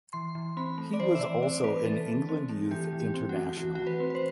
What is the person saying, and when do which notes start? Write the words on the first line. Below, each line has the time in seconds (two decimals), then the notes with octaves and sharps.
He was also an England Youth international.
0.13 E3 C6
0.35 E3
0.57 C4 B5
0.78 A3
0.93 D5
1.00 E3 C5
1.15 E5
1.21 E3 D5
1.42 C4 D5
1.64 A3 B4
1.85 E3 A4
2.07 E3
2.29 C4
2.49 A3
2.71 E3 G4
2.93 E3
3.00 G4
3.14 C4
3.29 F#4
3.36 A3
3.57 E3 F#4
3.75 E3 F#4
3.87 B4
4.00 C4
4.10 B4
4.15 C5